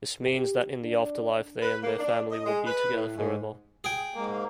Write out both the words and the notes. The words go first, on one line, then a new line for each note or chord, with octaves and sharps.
This means that in the afterlife they and their family will be together forever.
G4
D4
B4
A#3
D4
D#5
G#3
B4
A2
G#2
G#4 G5
G#2 A#3